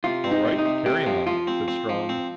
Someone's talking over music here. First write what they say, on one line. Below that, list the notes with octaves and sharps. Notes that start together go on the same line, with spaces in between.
"All right, carry on," said Strong.
C3 F4
C4
D#4
C3
D#4
C3
C3 G4
F3
F3 F4
C4
C4
F3
C4